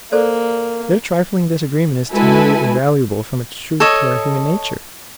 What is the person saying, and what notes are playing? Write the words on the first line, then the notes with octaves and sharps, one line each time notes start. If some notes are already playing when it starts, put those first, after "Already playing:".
Their trifling disagreement is to me even valuable from its truth to our human nature.
A#3 A4 C5 D5
G#3 E4 F#4 A4 B4 G#5
A4 C#5 D#5